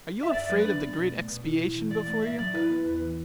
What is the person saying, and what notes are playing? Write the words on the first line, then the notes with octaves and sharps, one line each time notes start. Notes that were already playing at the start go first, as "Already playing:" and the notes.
Are you afraid of the great expiation before you?
E5
F#2 D5
F#3 B4
D4 D5
B3
B2
A3
B2
E4
A2
E3
A2 D5
A3 D5
A2 E5
F#3 D5
E4 B4
B3
E2
E3